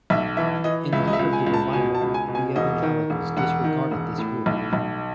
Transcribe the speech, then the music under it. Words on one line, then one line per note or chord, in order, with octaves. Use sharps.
In the heat of the revival, the evangelicals disregarded this rule.
B1 E5
E3 E5
E3 D#5
C#2 E5
D#5
E5
C#2
G#5
C#2
A5
B2 G#5
A5
C#2
G#5
B2
G#5
E1 D#5
D#3
E1
E1 F#5
D#3
E1
A2
B1
B1